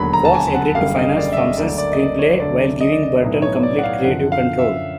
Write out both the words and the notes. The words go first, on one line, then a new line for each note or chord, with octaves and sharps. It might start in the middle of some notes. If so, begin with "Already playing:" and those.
Fox agreed to finance Thompson's screenplay while giving Burton complete creative control.
Already playing: E1 D#2 D3 F#3 B5
A#5
A5
G#5
F#5
F#1 F#2 D3 G3 F5
D#5
D5
E5
D#5
D2 D3 F#3 A#3 D5
D5
D#5
D5
C#5
D2 D3 F#3 D5
D#5
D5
D#5
B1 A2 F#3 B3 D#4
C#5
D5
F#5
F5
F#2 D3 F3 F#5
F5
E5